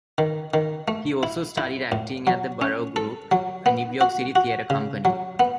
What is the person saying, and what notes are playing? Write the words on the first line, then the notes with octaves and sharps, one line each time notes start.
He also studied acting at The Barrow Group, a New York City theatre company.
D#3
D#3
A3
E4
E4
A2
F#3
C#4
A4
F#3
B3
F#4
F#4
C#3
F#3
B3